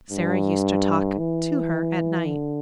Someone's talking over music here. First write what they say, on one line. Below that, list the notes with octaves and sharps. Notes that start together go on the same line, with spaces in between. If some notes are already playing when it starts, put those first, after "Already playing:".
Sara used to talk to her at night.
G2
E3
D3